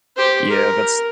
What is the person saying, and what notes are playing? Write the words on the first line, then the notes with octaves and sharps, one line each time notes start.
Yeah, that's
G4 C5
A#4